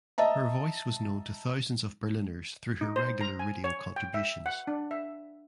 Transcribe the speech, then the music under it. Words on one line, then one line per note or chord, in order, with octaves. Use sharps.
Her voice was known to thousands of Berliners through her regular radio contributions.
D#5 E5 A5 A#5
D#4
C5
A#5
G#5
C#5
G5
E5
F#5
D4
E5